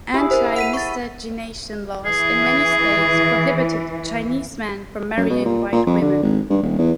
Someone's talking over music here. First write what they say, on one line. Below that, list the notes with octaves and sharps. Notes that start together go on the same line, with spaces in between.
Anti-miscegenation laws in many states prohibited Chinese men from marrying white women.
E4 G4 G#4
A#4 C5
F#5 B6 D#7
C#6 A6
E3 G#4
F#2
B2
A#2
A#2
F2
D3
G#1
G2
D#1
E2